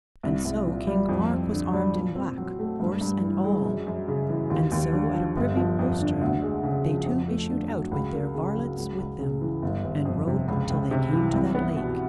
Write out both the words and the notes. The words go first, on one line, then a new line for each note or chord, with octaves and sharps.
And so King Mark was armed in black, horse and all; and so at a privy postern they two issued out with their varlets with them, and rode till they came to that lake.
C2
C2
A#2
G3
F2
C4
D3
G3
A#2
C4
F#3
A3
G2
G2
E3
G#3
F#2
F#2
C#3
E3
D#2
D#2
D3
F3
G1
F3
F2
D3
D2
G#3
C#3
F3
F2
A3
D3
F#3
C#2
A#3
C#3
F#3
C#2
C#2
C#3
E3
G1
G1
F2
C3
C#2
C#2
C3
E3
C2
B3
B2